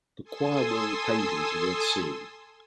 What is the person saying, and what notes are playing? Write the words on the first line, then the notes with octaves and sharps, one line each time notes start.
The choir wall paintings are worth seeing.
A4 G#5 C6 D#6 E6